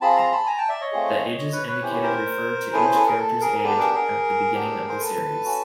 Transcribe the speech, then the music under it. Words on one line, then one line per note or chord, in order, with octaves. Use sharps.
The ages indicated refer to each character's age at the beginning of the series.
C4 F4 G#4 A5 B5
A#5 C6
A5 B5
G#5 A#5
G5 A5
D5 E5
C#5 D#5
A3 C4 F4 G#4
C#5 D#5
B4 C#5
B4 C#5
C#4 E4 G4 C5
C#5
A#4 C5
C#4 E4 G#4 A4 B4
C5
A4 B4
G#4 A#4
A4
G#4 A#4
A#4
B3 D4 G4 A4 B4
G#4 A#4
G#4 A#4
B3 D4 G4
C5
A4 B4
C#4 F#4